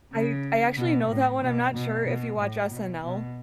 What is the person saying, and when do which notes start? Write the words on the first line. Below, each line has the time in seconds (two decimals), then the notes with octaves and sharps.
I I actually know that one. I'm not sure if you watch SNL.
0.13 C#3
0.78 B2
1.09 A2
1.42 B2
1.75 B2
2.06 B2
2.39 A2
2.71 B2
3.03 B2